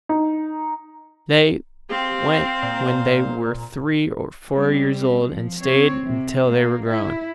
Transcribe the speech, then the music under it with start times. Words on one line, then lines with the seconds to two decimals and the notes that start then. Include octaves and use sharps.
They went when they were three or four years old and stayed until they were grown.
0.09 D#4
1.90 C4 G4 C5 F5
2.63 A#2
4.53 G3 C4
5.24 F3
5.61 C4 C#5
6.05 C3
6.47 A#3
6.85 E4